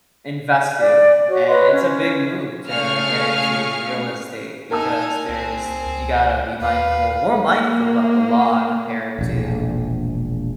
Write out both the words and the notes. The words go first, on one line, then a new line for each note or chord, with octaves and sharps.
Investing and it's a big move to get into real estate because there's you gotta be mindful more mindful about the law compared to,
D5
F#4 C#5
B4 C#5 D#5 C6
C#4
C#3 A3 G#4 F5 C#6 F6
D#4 A#4 G#5 A5 E6
C2 C4 G#4
C#2
D#2 B4 F5
A#3
E1 A#1